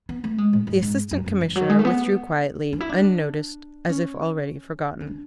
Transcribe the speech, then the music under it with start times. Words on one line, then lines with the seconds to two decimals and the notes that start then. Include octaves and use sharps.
The Assistant Commissioner withdrew quietly, unnoticed, as if already forgotten.
0.09 B3
0.24 A3
0.38 G#3
0.53 A2
0.67 G#2
0.82 G#2
1.11 F#2
1.26 F#2
1.41 E3
1.56 F#3
1.70 G#3
1.79 A3
1.85 B3
2.73 D4
2.81 E4
2.90 D4
3.89 C#4
5.01 C#4
5.07 D4